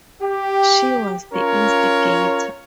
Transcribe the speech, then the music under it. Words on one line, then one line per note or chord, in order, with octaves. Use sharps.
She was the instigator.
G4
C#4 F4 A#4 C#5